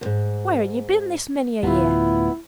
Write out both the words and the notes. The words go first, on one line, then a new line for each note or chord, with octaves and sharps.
Where han ye been this many a year?
D#2 G#2
D1 D2 B3 E4 F4